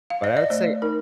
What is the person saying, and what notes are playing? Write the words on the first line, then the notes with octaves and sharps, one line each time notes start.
But I would say
F5
D#5
D5
A3 C5
D#4 A#4